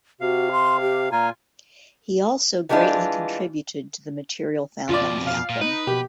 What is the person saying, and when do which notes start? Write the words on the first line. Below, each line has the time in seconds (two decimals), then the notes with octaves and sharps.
He also greatly contributed to the material found on the album.
0.21 C3 F#4 F5
0.52 C6
0.81 G4
1.12 A#2 F4 G#5 A#5
2.69 E3 G3 G#3 D4 F4
4.89 F2 B2 F4 D5
5.27 F5
5.50 A#2
5.61 D#4 B4
5.87 B2 G4